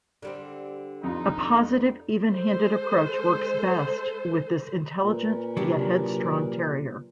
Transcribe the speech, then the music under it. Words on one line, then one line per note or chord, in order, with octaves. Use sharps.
A positive, even-handed approach works best with this intelligent yet headstrong terrier.
D3 G3 C4
F2 D#4 F4
G#3 A4 C5
A#2 C#4 A#4 B4
C3 F#3 D4 G4